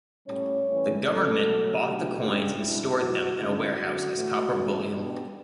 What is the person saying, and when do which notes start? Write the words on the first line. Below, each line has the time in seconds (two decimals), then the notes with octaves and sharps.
The government bought the coins and stored them in a warehouse as copper bullion.
0.27 A2 G3 C#4 C#5
0.66 E3 A3 C#4
1.04 A2 F#3 C#4 A4
1.42 B2 F#3 A3 C#4
1.81 B2 F#3 A3 D4 G4
2.20 C#3 G3 D4 G4
2.58 B2 G3 D4 E4
2.97 B2 F#3 B3 F#4
3.36 D3 A3 C#4 E4
3.75 D3 F#3 B3 F#4
4.14 A2 E3 A3
4.53 E3 A3 C#4
4.92 B2 G3 B3 D4 G4